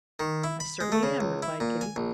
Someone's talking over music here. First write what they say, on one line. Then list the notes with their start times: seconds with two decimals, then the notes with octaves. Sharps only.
"I certainly am," replied Kitty.
0.20 D#3
0.44 E4
0.60 B5
0.81 G#3
0.92 A3
1.03 C#3
1.21 C#2
1.42 E4
1.60 A#2
1.81 G#5
1.96 A#1